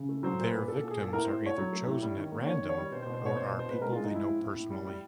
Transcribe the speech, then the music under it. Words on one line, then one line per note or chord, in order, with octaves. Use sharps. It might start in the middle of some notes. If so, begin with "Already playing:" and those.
Their victims are either chosen at random or are people they know personally.
Already playing: C#3
A3
F#3 C5
A#2 C5
B4
A#2
A#2 A4
A#2 A4
G#4
A#2 A4
A2 A#4
A2 C5
A3 C#5
F#3
A3
A2
G3
D#3
A#3
D#3 C#5
D#3
C#5
G3
B2 C5
C5
B2
C5
B2 C#5
B2 C5
C5
B2
C5
B2 B4
G#3 A#4
G#3 F4
D#4
F3 E4
A2
A2
A2
G3
G3